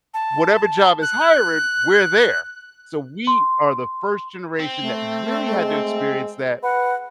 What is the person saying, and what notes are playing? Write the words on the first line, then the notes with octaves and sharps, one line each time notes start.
whatever job is hiring, we're there. So we are the first generation that really had to experience that,
A5
F#6
C6
C4
A3
G#3
B4 F#5